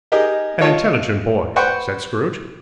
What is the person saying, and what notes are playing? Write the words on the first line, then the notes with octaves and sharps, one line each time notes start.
'An intelligent boy!' said Scrooge.
D#4 G4 G#4 A#4 D#5
D#4 F4 C#5 A5
B4 C5 F#5 G5 C#6